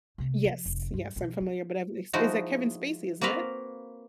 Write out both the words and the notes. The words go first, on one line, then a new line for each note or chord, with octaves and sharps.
Yes, yes I'm familiar, but I've is is that Kevin Spacey, isn't it?
C3 A3
F3
F1
G2
B2 F3
C4
F3 G#3 D#4 E4 F#4
A#3 C4 F#4 A#4 B4 F5